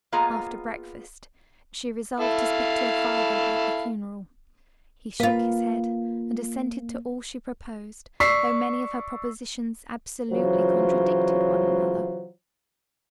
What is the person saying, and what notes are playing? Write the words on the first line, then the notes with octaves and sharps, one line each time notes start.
After breakfast, she resolved to speak to her father, about the funeral. He shook his head, and assented to all she proposed, though many of her propositions absolutely contradicted one another.
A#3 B3 F4 G#4 D#5 A#5
E4 A4 F5
A#3 F4 B4
D5 C#6 E6 B6 C7
C#3 E3 F#3 F4 C5